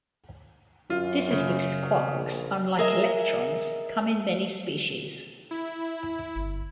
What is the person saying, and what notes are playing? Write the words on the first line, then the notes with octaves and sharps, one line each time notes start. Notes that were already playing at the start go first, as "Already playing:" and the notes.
This is because quarks, unlike electrons, come in many species.
F#2 F4
C#3
A#1
G#4 A#4 D#5 E5
E4
G1